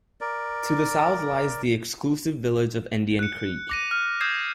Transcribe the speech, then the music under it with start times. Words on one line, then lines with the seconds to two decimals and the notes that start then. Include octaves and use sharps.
To the south lies the exclusive village of Indian Creek.
0.21 A#4 D5
3.19 F#6 C#7
3.69 D6 A#6 D#7
3.91 F6
4.21 D#6 G6 G#6 C7 E7